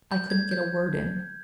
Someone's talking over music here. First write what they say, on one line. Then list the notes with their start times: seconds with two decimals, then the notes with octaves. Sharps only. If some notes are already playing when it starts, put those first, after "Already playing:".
I couldn't get a word in.
0.12 G6
0.30 G#6
0.51 G6